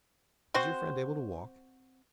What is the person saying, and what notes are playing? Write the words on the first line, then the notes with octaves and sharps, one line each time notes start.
"Is your friend able to walk?"
C4 F#4 C5